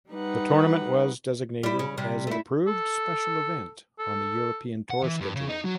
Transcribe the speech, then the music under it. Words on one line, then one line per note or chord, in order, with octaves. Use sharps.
The tournament was designated as an "Approved Special Event" on the European Tour schedule.
G3 D#4 B4 F#5
G3 E4
C#3
C3 G3
A3 E4
A4
A4
F#5
E3
G2
C#3
D#4
F#3